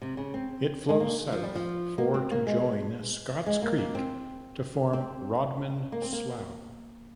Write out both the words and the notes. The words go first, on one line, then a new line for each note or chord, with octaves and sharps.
It flows south for to join Scotts Creek to form Rodman Slough.
C3
C#3
C4
G#3
A#3
F3
G3
F3
A#3
C4
A#3
G#3
G#3
A#3
A#3
C4
C4
A#3
C4
A#3